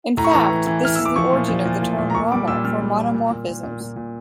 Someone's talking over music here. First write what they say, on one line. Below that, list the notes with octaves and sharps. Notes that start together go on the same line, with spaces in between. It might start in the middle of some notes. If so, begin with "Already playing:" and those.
In fact, this is the origin of the term "normal" for monomorphisms.
A2 A#5
C#6
E3 A#5
E3
E3
E3 F6
E3 E6
D6
F3 C#6
A#2
F3
A#2
A#2
A#2
A#5
A#2 C#6
G3 D6
A#2 E6
G3 F6
G3
A#2
A#2
A#2
A#2
A#2
A#2
A#2